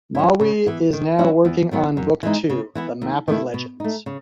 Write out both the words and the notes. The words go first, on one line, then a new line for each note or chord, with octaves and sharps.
Mawi is now working on book two: The Map of Legends.
F#3 C#4 E4
C#3
E3 B3 E4
D#3
F#3 C#4 E4
E2
D#3 F#3 B3
F#2
E3 G#3 D#4
C#3
E3 B3 E4
D#2
D#3 A3 E4
B2
A3 D#4
C#3